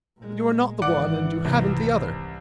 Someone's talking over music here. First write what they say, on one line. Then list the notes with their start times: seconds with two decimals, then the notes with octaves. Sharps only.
But you are not the one and you haven’t the other.
0.17 A#2 G#3
0.82 G#1 E3 D5 F#5 D6
1.45 C2